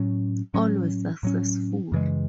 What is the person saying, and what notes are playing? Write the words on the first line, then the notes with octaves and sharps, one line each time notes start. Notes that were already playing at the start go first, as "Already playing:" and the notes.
All were successful.
Already playing: A2 F#3 C#4
A2 F#3 C#4
A2 F#3 C#4
F#2 C#3 E3 G#3